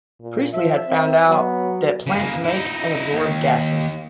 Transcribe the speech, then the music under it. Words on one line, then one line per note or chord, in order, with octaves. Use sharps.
Priestley had found out that plants make and absorb gases.
A#2
F3 E5
C4
F#3 B3
C#3 A#3
D#4 E4
D#2